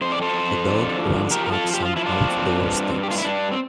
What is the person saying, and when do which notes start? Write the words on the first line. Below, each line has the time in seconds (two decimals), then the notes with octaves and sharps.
A dog runs up some outdoor steps.
0.01 F2 C5
0.12 D5
0.22 A4 C5
0.34 F2
0.67 D3
0.98 F3
1.30 F3 G4 A#4
1.46 A#4
1.52 F4 A4
1.64 F3
1.74 G4
1.85 F4
1.96 F3 E4
2.06 D4 F4
2.29 C4
2.60 G2
2.94 G2
3.03 G4
3.11 F4
3.18 E4
3.25 G2 D4
3.52 C4